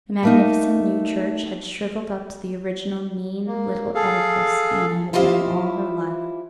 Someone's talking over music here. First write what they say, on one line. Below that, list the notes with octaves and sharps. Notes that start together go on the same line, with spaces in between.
The magnificent new church had shrivelled up to the original mean little edifice Anna had known all her life.
A3 A#3 D#4
A#3
G#4 A4 F5
E4 F4 G4 C5 D#5 F5